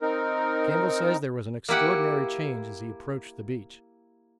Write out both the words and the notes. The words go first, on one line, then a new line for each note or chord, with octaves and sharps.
Campbell says there was an extraordinary change as he approached the beach.
C4 D#4 A#4
A#3 E4 G4 F#5